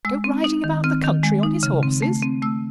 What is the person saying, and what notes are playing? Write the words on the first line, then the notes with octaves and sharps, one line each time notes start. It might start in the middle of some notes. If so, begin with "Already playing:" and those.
Go riding about the country on his horses!
G#3 E6
C4
D#4
D#3
C4 F6
D#3
G#3
D#4
C#3
C4
A3
C4
A3 E6